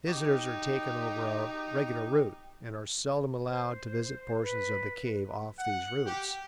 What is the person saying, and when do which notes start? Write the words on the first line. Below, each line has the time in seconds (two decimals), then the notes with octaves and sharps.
Visitors are taken over a regular route and are seldom allowed to visit portions of the cave off these routes.
0.07 D#4 G4
3.49 C5
4.42 B4
5.59 F#5
6.06 G4